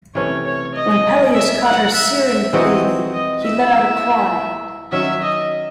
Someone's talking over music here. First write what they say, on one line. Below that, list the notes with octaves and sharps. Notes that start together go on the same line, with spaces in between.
When Peleus caught her searing the baby, he let out a cry.
C3 E3 A3 C#4 C#5
C#5
D#5
E5
F#5
E5
E5
E3 C4 D#4 F#4 D#5
D#5
E5
D#3 F#3 C#4 E5
D#5